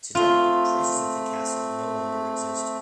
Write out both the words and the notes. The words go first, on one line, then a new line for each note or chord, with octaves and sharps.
Today traces of the castle no longer exist.
A3 C4 F4